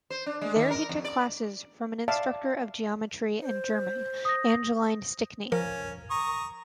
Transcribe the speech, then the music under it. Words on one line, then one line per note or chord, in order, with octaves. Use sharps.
There he took classes from an instructor of geometry and German, Angeline Stickney.
C5
D4
G#3
D#3
A#4
F2
D5
D5 E5 F5 A5
C5
D#6 A#6
F3 C#4 A#4
A#5 C#6 D#6